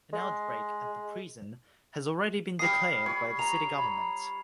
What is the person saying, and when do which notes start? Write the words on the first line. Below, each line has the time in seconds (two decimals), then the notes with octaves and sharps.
An outbreak at the prison has already been declared by the city government.
0.13 G#3
2.59 G3 F5 D#6 C7
3.06 C#5 B5
3.39 A#5 F7
3.78 B5